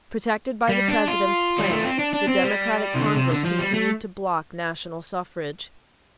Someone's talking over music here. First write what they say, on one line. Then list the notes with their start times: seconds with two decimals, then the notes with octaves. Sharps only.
Protected by the President's plank, the Democratic Congress continued to block national suffrage.
0.69 G3
0.88 D4
1.07 F4
1.58 G3
1.71 A3
1.84 C4
1.99 D4
2.14 D4
2.28 C4
2.43 G3
2.95 C3
3.01 D3
3.16 C3
3.30 D3
3.45 F3
3.59 G3
3.74 A3